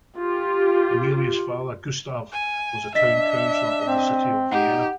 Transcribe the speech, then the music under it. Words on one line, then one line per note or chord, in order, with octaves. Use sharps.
Emilia's father, Gustav, was a town councillor of the city of Vienna.
F4 G4
G#5
D4 D#5 E5 B6
C4
D#4 G4 F#5